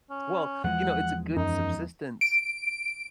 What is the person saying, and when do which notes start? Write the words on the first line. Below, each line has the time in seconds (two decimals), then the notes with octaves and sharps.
Well, you know, it’s a good subsistence,
0.10 C#4
0.64 E2 F3 G#3 F#5
1.36 F#2 D#4
2.21 D7